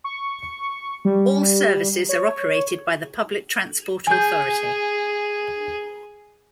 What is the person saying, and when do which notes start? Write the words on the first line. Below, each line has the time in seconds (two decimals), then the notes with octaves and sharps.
All services are operated by the Public Transport Authority.
0.04 C#6
1.05 G3
2.09 C#5
4.07 G#4 G#5 G6